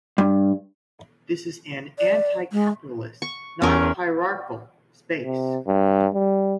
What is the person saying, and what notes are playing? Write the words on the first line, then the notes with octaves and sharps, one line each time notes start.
This is an anti-capitalist, non-hierarchical space.
G2
D5
G#3
C#6
E2 C#4 A#4
C3
G2
G3